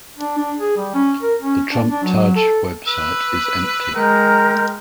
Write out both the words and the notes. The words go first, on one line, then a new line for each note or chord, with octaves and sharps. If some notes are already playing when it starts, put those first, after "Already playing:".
The Trump Taj website is empty.
D4
D4
G#4
G3
C#4
A#4
C#4
D4
D4
F#3
A4
B4 E6
G#3 A#4 G5 A#5